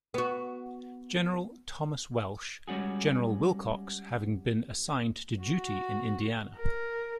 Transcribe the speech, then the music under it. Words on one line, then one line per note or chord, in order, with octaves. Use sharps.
General Thomas Welsh, General Willcox having been assigned to duty in Indiana.
B3 F#4
G3 G#3 C#4 F#4 G#4
F#4
A#4